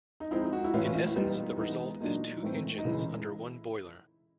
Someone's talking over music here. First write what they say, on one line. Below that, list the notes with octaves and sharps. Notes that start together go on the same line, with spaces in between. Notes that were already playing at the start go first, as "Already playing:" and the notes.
In essence, the result is two engines under one boiler.
D#4
F3 G#3 C4 D#4 E4
F#4
E4
A2 E3 A3 C#4 F4
E4
E4
A#2 G3 B3 D#4
E3 G#3 B3 D#4
A#2 F#3 A#3 D4 D#4
A2 E3 A3 C4
D#4
C#3 E3 G#3 E4